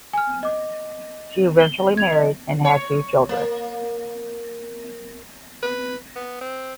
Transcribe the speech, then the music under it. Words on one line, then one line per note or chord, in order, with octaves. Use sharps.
She eventually married and had two children.
G#5 F6
D#5 D6
G7
G#6 F7
D#5
C#5
A#3
B4
B3
C4